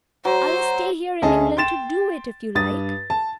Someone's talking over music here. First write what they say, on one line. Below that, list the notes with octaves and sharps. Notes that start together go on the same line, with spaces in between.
I'll stay here in England to do it, if you like.
F#3 C5
D2 C#4 G#4 D#5 A5
G5 C6 A6 E7
G2 D#6 A6
A5